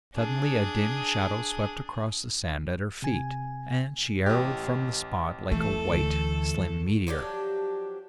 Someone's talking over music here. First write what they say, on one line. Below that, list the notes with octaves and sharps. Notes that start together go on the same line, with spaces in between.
Suddenly a dim shadow swept across the sand at her feet, and she arrowed from the spot like a white, slim meteor.
D4 G#4
C3 G#5
A1 G4
E3 A3 A4
D2
F3 F#3 D4 G4